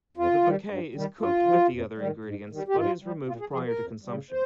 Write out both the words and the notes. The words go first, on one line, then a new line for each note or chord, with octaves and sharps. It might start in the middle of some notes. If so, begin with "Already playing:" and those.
The bouquet is cooked with the other ingredients, but is removed prior to consumption.
F2 F4
D#3 G3
G2
D#3 G3
G2 F4
F3
F2
D#3 G3
G#2
D#3 G3
G4
G#2 F4
G3
A#2 F4
G#4
F3 G#4
A#4
F2
C#3 G3
C5